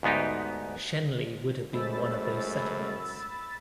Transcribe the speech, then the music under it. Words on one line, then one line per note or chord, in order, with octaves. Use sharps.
Shenley would have been one of these settlements.
D2 G#2 B3 D#4 G4
F#2 G#3 A3 C5 B5 E6 A6